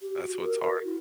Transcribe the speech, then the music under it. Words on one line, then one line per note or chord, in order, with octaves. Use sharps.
That's what's hard.
G4
F#4
A#4
F#4
E4